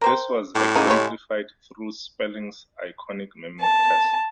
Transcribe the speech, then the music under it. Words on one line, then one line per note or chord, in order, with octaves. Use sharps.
This was exemplified through Sperling's Iconic Memory Test.
A#4 C5 G5
A2 G4
C#3 G#3 A#3 D#4 F#5
C#3 G#3 G4 C#5 B5
A5